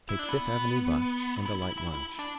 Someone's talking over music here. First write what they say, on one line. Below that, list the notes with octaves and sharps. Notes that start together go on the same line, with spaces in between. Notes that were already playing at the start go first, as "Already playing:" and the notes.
Take Fifth Avenue bus, and a light lunch.
E4
D4
B3
E4
E4
E4
E4
D4